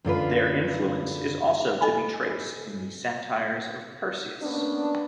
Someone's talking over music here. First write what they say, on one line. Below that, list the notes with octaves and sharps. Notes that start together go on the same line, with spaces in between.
Their influence is also to be traced in the satires of Persius.
F#2 D3 F4 B4
A4 D#5 G#5 B5
A#3 B3 C#4 D4